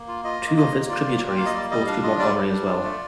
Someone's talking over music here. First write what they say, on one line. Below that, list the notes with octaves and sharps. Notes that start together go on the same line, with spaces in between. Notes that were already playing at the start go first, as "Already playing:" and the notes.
Two of its tributaries flow through Montgomery as well.
Already playing: A#3
F4
F4 D#5
A#3
F4 D#5
A#3
F4 D5
A#3
F4
G5
A#3 F5
D#5
G3 D5
G3 D#5
D4 F5
F4 D#5
G3 D5
G3
D4
F4
A3